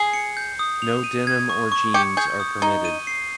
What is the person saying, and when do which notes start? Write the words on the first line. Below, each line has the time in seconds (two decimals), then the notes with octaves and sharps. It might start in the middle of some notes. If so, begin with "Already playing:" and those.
No denim or jeans are permitted.
Already playing: G#4 C7
0.13 C#7
0.37 G6
0.59 D#6
0.82 F7
1.04 D#7
1.27 G#6
1.49 C#6
1.72 C#6
1.94 G4 C#7
2.17 G#4 G6
2.40 D#6
2.62 D#4 G7
2.85 D#7
3.07 C7